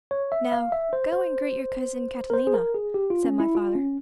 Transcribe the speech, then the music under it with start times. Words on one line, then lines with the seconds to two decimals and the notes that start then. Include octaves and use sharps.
"Now go and greet your cousin Catalina," said my father.
0.11 C#5
0.32 E5
0.52 F5
0.72 E5
0.93 C5
1.12 C5
2.30 A#4
2.34 C5
2.47 G#4
2.54 A#4
2.74 G#4
2.94 G4
3.10 F4
3.25 C#4
3.40 E4
3.55 F4
3.75 C#4